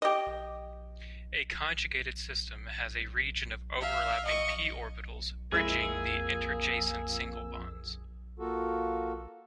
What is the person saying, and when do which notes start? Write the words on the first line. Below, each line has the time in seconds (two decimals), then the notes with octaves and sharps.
A conjugated system has a region of overlapping p-orbitals, bridging the interjacent single bonds.
0.02 G4 D#5
3.80 E5 F5
4.25 D#5 C#6
5.52 F2 G#3 A#3 E4 G#4 E6
8.39 A#3 F4 F#4 A4